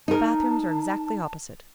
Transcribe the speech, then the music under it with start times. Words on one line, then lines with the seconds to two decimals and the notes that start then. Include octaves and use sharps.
"The bathrooms are exactly opposite."
0.08 D#4 A#4 A5